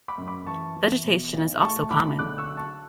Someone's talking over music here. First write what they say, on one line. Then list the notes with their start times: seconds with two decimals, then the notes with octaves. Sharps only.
Vegetation is also common.
0.08 B5 D6
0.18 F#2
0.28 B5 D6
0.47 E3 A5 C#6
0.76 E3
1.04 B2
1.33 B1
1.61 A3 A5 C#6
1.90 B1 B5 D6
2.19 D3 D6 F#6
2.38 C#6 E6
2.48 F#3
2.57 A5 C#6